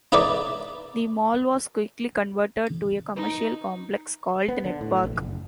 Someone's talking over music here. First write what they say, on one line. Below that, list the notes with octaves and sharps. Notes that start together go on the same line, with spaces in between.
The mall was quickly converted to a commercial complex called Netpark.
D#4 E4 A#4 B4 D5
D#4
B3
D3
A2
A#1
F#1